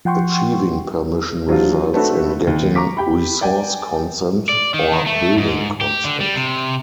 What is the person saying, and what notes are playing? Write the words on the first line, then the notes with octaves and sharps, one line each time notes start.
Achieving permission results in getting "Resource consent" or "Building consent".
F3 F#5 G5 C6 C#6
E3 F#3 C4 D4 F4
A3 C4 D4 F#4 A4 B4
D#2
A#5 C#6 D6 B6
G4 G5 B5
D5 G5 G#5
D5
D#3
D#3
A3
G#2
G4
D3
G3
C3